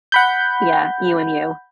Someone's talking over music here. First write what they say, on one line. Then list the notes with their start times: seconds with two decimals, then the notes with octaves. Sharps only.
Yeah, you and you.
0.12 F#5 B5 G6